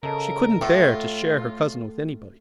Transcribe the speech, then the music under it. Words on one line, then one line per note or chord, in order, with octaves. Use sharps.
She couldn't bear to share her cousin with anybody.
C#3 A4 A#4 D#5 A5
A2 A3 F4